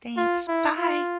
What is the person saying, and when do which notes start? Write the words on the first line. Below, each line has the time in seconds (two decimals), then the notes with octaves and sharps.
Thanks, bye.
0.17 F4
0.48 E4
0.78 F4